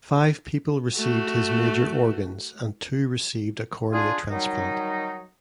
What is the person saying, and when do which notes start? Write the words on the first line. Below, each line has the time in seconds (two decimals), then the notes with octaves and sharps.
Five people received his major organs, and two received a cornea transplant.
0.96 A3 F#4
3.92 D4 F4 G#4
4.30 D#3 F#3 G3 D#4